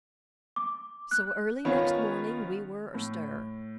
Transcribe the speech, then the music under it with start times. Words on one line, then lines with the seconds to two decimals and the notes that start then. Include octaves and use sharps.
So early next morning we were astir.
0.56 D6
1.11 F#6
1.65 D#3 B3 C#4 F4 C#5
2.94 A2